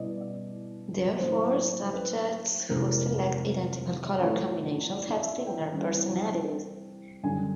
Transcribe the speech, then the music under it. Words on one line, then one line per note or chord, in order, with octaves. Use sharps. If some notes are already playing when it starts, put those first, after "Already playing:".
Therefore, subjects who select identical color combinations have similar personalities.
Already playing: B2 G3 B3 E4 D5 D#5
D5
A2 F#3 A#3 C5
B4
F2 C3 E3 G#3 A#4
A2 F3 A3 C#5
D5
E5
G5
E3 G3 C4 E4
F#2 D3 G3 G#5